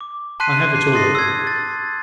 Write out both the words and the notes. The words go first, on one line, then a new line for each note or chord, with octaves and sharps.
I have it all.
D6
A5 C6 F#6 B6 C7 D#7
D6 C7
C6 D#6 A6 A#6 C7
E6 G#6
A6